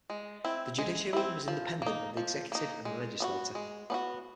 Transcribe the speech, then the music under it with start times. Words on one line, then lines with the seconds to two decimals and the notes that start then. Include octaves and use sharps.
The Judiciary was independent of the executive and the legislature.
0.10 G#3
0.44 C4 E4
0.78 G#3
1.13 C4 E4
1.48 F3
1.82 A#3 D#4
2.17 F3
2.52 A#3 D#4
2.85 G#3
3.20 B3 D4 F#4
3.55 G#3
3.90 B3 D4 F#4